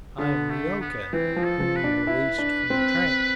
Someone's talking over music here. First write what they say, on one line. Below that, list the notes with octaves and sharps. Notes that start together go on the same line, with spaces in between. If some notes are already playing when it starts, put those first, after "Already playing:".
I am Neeoka, whom you released from the trap.
D3 B3
A3
B3
E3 C4
F3
A4
F3
B4
D4
E4
D4
C4